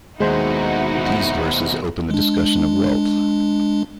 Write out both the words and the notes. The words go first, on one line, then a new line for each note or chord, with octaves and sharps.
These verses open the discussion of wealth.
D#2 B2 D#3 G#3 D#4 E4 F#4 C5
G#3 D4